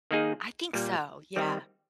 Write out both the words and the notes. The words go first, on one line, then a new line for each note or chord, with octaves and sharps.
I think so, yeah.
D#3 A#3 D#4 G#4
A#2 G3 A#3
D#3 G3 C4